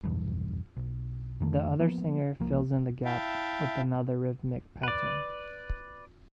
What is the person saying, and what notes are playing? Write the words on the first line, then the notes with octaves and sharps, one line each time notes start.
The other singer fills in the gap with another rhythmic pattern.
F1 B1 E2 G2
B1
F2 D#3 A3
F3 A#3 B3
C2 F3 A#3
E4 E5 F5 G5 A5
B4 D5